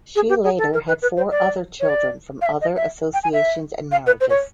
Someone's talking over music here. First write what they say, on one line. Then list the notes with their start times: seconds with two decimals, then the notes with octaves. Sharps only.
She later had four other children from other associations and marriages.
0.16 G#4
0.29 G4
0.44 G#4
0.58 A4
0.74 A#4
0.88 B4
1.02 B4
1.17 C5
1.31 D5
1.80 C#5
1.89 D5
2.41 F5
2.46 E5
2.61 D#5
2.76 E5
3.14 G5
3.23 G#5
3.33 E5
3.92 F5
4.06 B4
4.21 C5
4.30 C#5